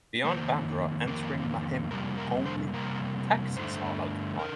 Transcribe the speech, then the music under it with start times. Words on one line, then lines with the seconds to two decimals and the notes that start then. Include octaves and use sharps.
Beyond Bandra, entering Mahim, only taxis are allowed to ply.
0.25 F2 D#3 A#3 C5
1.07 F2 D#3 A#3 A#4
1.91 F2 C3 G3 A#3 A#4
2.18 A#4
2.45 C5
2.73 F2 C3 G3 A#3 A#4
3.56 G2 D3 A3 C5
4.39 D3 A#4